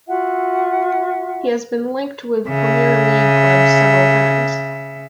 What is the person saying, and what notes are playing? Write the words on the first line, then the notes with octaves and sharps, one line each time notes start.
He has been linked with Premier League clubs several times.
F4 F#4 E5 F#5
C#3 E5